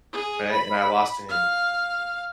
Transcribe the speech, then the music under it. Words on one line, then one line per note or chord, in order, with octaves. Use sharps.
Right? And I lost to him.
G#4
B5
F5